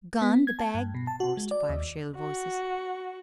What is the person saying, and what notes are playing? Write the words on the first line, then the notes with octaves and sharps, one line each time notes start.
"Gone--the bag?" chorused five shrill voices.
B3
G#6
A5
G2
B2
A5
F#4
G#3
D5
D#2
F#4